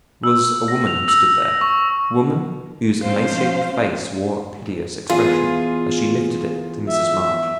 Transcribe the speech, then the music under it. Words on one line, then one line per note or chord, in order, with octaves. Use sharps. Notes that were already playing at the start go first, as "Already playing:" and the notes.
It was a woman who stood there, a woman whose emaciated face wore a piteous expression, as she lifted it to Mrs. March.
E6
A#6
F7
E6
A#6
C#6
F3 C4 C#4 C5 F5
E2 F4 G#4
E5